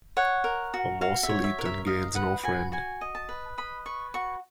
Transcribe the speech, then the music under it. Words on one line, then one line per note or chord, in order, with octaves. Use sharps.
A morsel eaten gains no friend.
C#5 F#5
A#4
F#4
F#4 F5
E5
C#5
E5
A#4
E5
D#5 F5
B4 F#5
F#4 G#5
F#4 G#5
D#5
A5
B4
D#5 B5
B4 C#6
F#4 C#6